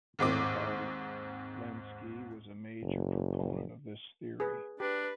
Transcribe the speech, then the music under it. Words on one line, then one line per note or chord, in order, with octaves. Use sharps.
Gerhard Lenski was a major proponent of this theory.
D#2 G#2 C4 D6
F#1
G#4 B4
D4 G4 B4